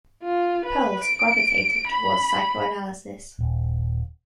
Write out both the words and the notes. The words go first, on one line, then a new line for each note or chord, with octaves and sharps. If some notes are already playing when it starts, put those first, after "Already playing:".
Perls gravitated toward psychoanalysis.
F4
B4
D7
B5
D#1